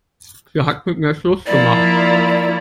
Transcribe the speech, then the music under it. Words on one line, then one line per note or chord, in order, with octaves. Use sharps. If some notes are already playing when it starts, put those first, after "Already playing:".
Sie hat mit mir Schluss gemacht.
F3 A#3 E4 D5